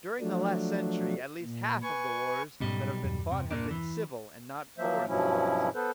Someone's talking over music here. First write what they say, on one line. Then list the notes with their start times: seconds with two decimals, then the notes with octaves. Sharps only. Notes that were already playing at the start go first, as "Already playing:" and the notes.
During the last century at least half of the wars that have been fought have been civil and not foreign wars.
0.20 F3 F#3 A3 D4
1.42 A#2
1.82 B4 G#5 C#6
2.60 B1 G#2 G3 B3 C#4 D#5
3.03 E2 G2
3.31 C3
3.51 A#2 A#3 D4
3.71 E3
4.78 F3 F#3 A#3 C5 E5
5.08 G2 B2 F3 F#3 C#4 E4
5.75 B3 A4 B4 C5